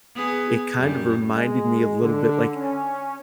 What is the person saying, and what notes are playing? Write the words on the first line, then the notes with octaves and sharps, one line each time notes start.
it kind of reminded me a little bit, like
B3 G#4
F#2 G3
G#3
D3
C#4